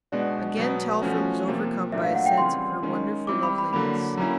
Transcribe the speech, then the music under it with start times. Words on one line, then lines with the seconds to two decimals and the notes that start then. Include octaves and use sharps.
Again Telford was overcome by a sense of her wonderful loveliness.
0.12 B2 G#3 B3 D4 F#4 D5
0.57 B2 F#3 B3
1.02 F3 A3 C#4 F#4
1.48 C3 F3 A#3
1.92 A#2 F#3 A3 D4 E5
2.04 F5
2.15 F#5
2.26 G5
2.37 C#3 E3 G3 C4 F4 C6
2.82 D#3 G#3 C#4
3.27 G3 C4 E4 D6
3.43 B5
3.58 B5
3.73 D3 F#3 A#3 B5
4.17 F#3 A#3 C#4 E4 A#5